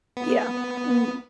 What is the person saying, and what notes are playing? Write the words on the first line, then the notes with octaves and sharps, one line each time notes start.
Yeah. Mhm.
B3